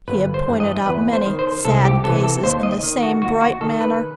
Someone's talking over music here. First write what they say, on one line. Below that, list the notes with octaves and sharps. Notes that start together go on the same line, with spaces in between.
He had pointed out many "sad cases" in the same bright manner.
G1 B4
C5
G2 E3
D#5
E2 B4
C5
D#3
C5
C2 A4
G4
C3 E3 A4
A4
D#2 C5
D#5
D#3
F#4
D#2 F#4
F#4
D#3 A4
B4